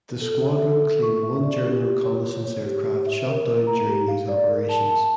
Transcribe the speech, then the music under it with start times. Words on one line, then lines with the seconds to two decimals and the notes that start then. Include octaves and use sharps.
The squadron claimed one German reconnaissance aircraft shot down during these operations.
0.21 A4
0.42 E5
0.62 A4
0.82 A4
1.03 C#6
1.23 E5
1.43 D5
1.64 G4
1.84 G4
2.04 C#5
2.24 C#5
2.45 C#5
2.66 G4
2.86 G4
3.06 E5
3.27 A#4
3.47 A#4
3.67 A#5
3.88 G4
4.08 F5
4.28 D5
4.48 A#4
4.69 A5
4.89 A5